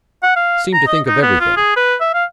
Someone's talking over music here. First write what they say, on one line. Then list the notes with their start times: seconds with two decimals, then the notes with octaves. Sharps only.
Seemed to think of everything.
0.23 F#5
0.36 F5
0.73 A#5
0.87 D#5
1.07 D#4
1.22 B3
1.40 F4
1.56 G#4
1.76 B4
2.00 E5
2.14 F5